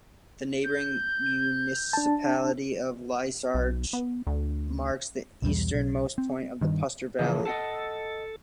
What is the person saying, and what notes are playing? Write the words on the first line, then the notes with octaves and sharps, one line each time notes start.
The neighbouring municipality of Leisach marks the easternmost point of the Puster Valley.
G6
D4 A5
B1
B3
D2
B1 E2 G3
B1
C4
G2 D#3
C#3 E3 F3 A#3 G#4
A4 D#5 F#5 A5